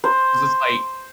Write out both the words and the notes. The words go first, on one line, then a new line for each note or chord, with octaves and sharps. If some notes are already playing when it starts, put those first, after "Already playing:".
'cause it's like
C5